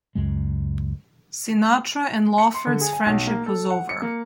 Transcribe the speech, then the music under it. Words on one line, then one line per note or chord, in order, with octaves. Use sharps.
Sinatra and Lawford's friendship was over.
C#2 F#2 G#3
C#7
C6
D3
G#4
G#5
B1
A#3
A4
F#5
C#7
A#3